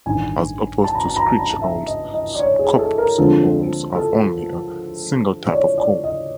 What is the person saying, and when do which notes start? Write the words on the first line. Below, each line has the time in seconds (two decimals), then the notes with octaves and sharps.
As opposed to screech owls, scops owls have only a single type of call.
0.06 A1 G2 D#3 G#5
0.84 A5
0.95 A#5
1.05 A5
1.16 A#5
1.27 A5
1.39 A#5
1.50 A5
1.61 E5
1.87 D#5
2.14 D#5
2.35 D5
2.39 C#5
2.59 G#4
2.79 A4
2.98 A#4
3.18 D2 D3 F3 G#3 C4 A4
3.95 A4
5.48 D5
5.52 C#5
5.78 D5
6.04 D#5